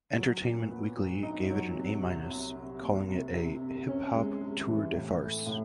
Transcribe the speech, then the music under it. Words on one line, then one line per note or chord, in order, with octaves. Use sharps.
"Entertainment Weekly" gave it an A-, calling it a "hip-hop tour-de-farce".
F#3
A#2
B3
F#3
D#4
F#3
C3
C2
C2
C3
A#3
C2
C3
C3
C#4
G#3
G#3
E3
A2
A3
A2